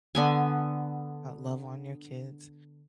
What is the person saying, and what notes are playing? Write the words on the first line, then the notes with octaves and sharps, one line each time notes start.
love on your kids.
D3 B3 G#5